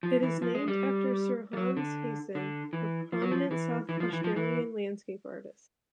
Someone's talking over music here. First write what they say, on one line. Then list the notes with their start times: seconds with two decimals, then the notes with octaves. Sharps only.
It is named after Sir Hans Heysen, a prominent South Australian landscape artist.
0.03 F3
0.23 E3
0.42 F3
0.55 G#3
0.68 G3
1.53 G3
1.57 F#3
1.77 D3
2.35 D3
2.73 E3
3.12 F3
3.22 F#3
3.31 F3
3.51 E3
3.89 E3
4.00 F3
4.13 E3
4.24 F3
4.36 E3